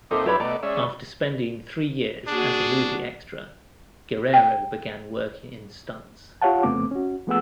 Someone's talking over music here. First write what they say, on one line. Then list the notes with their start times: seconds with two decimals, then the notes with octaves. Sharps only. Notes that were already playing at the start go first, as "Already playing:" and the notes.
After spending three years as a movie extra, Guerrero began working in stunts.
0.11 A#2 C4 D#4 A4 E5 D6
0.26 F#2 D4 E4 G4 B4 C#5 B5
0.40 B2 A3 D5 D#5 A#5
0.63 G#3 C#4 D5 E5
2.27 A#3 D4 F#4 G#4
4.34 G5
6.42 F4 G4 C#5 F5 F#5 A5
6.63 F2 C#3 A3 B3 C4 D6
6.91 C#4 F#4
7.27 F3 A3 B3 G#4 F#5 E6